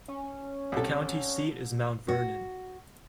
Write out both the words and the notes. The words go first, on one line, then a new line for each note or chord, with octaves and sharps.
The county seat is Mount Vernon.
C#4
C2 A4
F#4